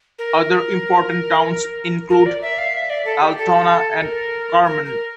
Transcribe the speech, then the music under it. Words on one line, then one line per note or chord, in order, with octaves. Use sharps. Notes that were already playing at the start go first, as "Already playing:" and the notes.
Other important towns include Altona, and Carman.
A#4
A#4
D5
E5
F5
E5
D5
A4
G4
A4
A#4
A#4
A#4